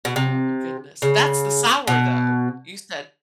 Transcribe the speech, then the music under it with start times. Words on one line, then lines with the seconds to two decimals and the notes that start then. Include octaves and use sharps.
Oh, my goodness, that's the sour, though! You said,
0.05 B2
0.16 C3
1.02 C#3
1.87 B2